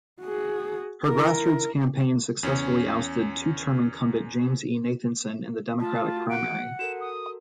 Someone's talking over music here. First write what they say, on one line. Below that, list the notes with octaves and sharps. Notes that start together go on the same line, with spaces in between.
Her grassroots campaign successfully ousted two-term incumbent James E. Nathanson in the Democratic primary.
F#4 G#4
E4 A#4
E2 C#4
A3 F4 F5 A5
F#4
F#5 D7
F#4 A4 A#4 E7
D#6